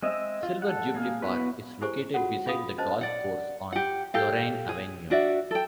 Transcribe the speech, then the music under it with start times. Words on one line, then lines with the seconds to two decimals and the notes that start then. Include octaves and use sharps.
Silver Jubilee Park is located beside the golf course on Lorraine Avenue.
0.03 G#3 C4 D#5 E5
0.43 F4
0.62 A4 F#5
0.94 A#3 G#4 F5
1.22 B3 E4 F#4 B4
1.81 E4 G4 G#4 C5 G#5 C#6
2.14 F4 F#4 A4 C#5 F#5
2.46 C#4 F4 G#4 F5 B5 D#6
2.78 C#4 B4 C5 D#5 A5
3.01 D5 F#5
3.72 G4 F#5
4.14 G4 A4 F5
4.69 G#4
5.10 D4 F#4 D5 E5
5.51 A4 G5